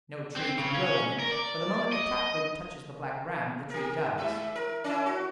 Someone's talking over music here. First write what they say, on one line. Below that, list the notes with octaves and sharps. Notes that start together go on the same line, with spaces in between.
No tree can grow in it, for the moment the taproot touches the Black Ram the tree dies.
C4
C#3
C#4
A#4
D5
D#5
G4 A#4
G#2 E5
A#4
C#4 E4
F#4